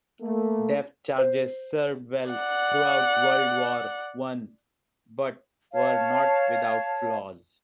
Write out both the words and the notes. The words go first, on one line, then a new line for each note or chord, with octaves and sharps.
Depth charges served well throughout World War One but were not without flaws.
A3 A#3
C5
D5 F#5
C#5 F5 A5